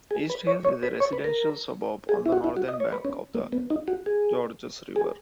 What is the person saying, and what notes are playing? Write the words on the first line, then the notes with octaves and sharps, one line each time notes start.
East Hills is a residential suburb on the northern bank of the Georges River.
G#4
B4
C#5
C#5
B4
C#5
B4
A#4
G#4
E4
F#4
E4
F#4
D#5
C#5
B4
C#4
A#3
B3
D#4
F#4
G#4
G#4